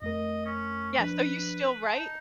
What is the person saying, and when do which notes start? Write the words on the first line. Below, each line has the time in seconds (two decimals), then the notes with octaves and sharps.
Yes, so you still write?
0.02 F2 A3 A#4 D#5
0.46 C#4
0.99 F3 D4 B4
1.84 A5
1.96 D#4